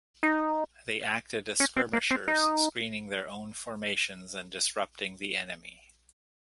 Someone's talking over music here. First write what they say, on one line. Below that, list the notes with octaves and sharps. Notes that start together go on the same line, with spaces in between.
They acted as skirmishers, screening their own formations and disrupting the enemy.
D#4
C#4
C4
A#3
C4
D#4